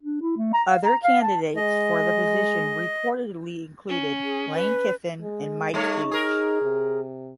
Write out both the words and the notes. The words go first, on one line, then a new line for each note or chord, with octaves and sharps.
Other candidates for the position reportedly included Lane Kiffin and Mike Leach.
D4
E4
A3
A#5
F5
A#5
F5
A5
G#3 D#5
C#4
G#4
B4
G#3
G3 A3 D#4 C#5
G#4 A#4
C3